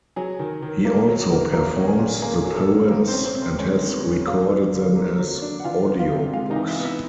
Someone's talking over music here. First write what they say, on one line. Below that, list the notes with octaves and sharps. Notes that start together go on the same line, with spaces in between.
He also performs the poems, and has recorded them as audio books.
F#3 G#4
D#3
D#3
A#3
F#3
D#3
F#3 A#3 A#4
C#4
G#4
A#2
A#3 G#4
F#3
A3 A4
C#4
B4
D#3 A#3 A#4
C4 C5
C#4
C4 C5
C3
C4 C5
G#3 C#4 C#5
D#3
B3 B4
C#4
F#3 F4 F5
D4
D3
A#3
F#3
D4
F#5
E3 F4 F5
B3
F4 F5
C3
G#3 F4 F5
D#4 D#5
E3
E4 E5
B3
E4 E5